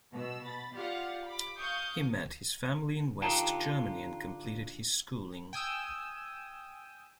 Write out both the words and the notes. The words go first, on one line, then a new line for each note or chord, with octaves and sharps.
He met his family in West Germany and completed his schooling.
B2 E6
B2 B5 A6
F4 G4 D5 F5 F#5
B5 D6
F5 C#6 D#6 G6
D3 D#4 F4 G4 G5 A5
G5 G#5 D#6 E6